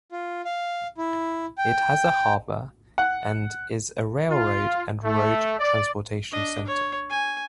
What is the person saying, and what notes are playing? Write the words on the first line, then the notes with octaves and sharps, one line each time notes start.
It has a harbour and is a railroad and road transportation center.
F4
F5
E4
G5
F#5
F4
A3
D5
D4 D#5
C#5
G#5